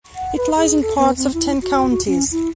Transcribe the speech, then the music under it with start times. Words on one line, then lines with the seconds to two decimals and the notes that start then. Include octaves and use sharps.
It lies in parts of ten counties.
0.15 F#5
0.37 B4
0.57 G#4
0.82 A4
0.98 B3
1.17 C4
1.34 E4
1.62 F#4
1.91 F#4
2.07 C#4
2.32 E4